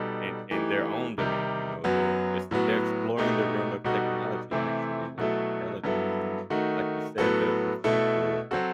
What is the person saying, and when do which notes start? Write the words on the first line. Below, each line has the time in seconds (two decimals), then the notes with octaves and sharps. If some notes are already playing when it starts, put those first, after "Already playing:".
in in their own domain, you know, the it's they're exploring the realm of technology, actually, like, intelligence and like you said, the the future,
Already playing: B2 G3 D#4 A4
0.51 E3 A3 D#4 G4
1.18 C3 D#3 G3 D#4 G4
1.84 F#2 F#3 B3 F#4
2.51 A2 F#3 B3 F#4
3.17 B2 A3 D#4 G4
3.84 B2 G3 D#4 F#4 A4
4.51 C3 E3 A3 C4 E4
5.18 B2 F#3 A3 E4 A4
5.84 G2 F#3 B3 E4 A4
6.50 D#3 A3 D#4 F#4
7.18 A2 F#3 B3 F#4 A4
7.84 B2 A3 E4 A4
8.51 F#3 C4 F#4 A4